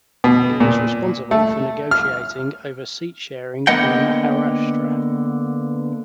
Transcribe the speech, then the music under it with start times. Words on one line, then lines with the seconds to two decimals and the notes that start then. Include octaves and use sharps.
He was responsible for negotiating over seat-sharing in Maharashtra.
0.24 B2
0.60 A#2
1.31 A3
1.91 F6
3.67 D3 A#3 B3 D#5 F#5 G5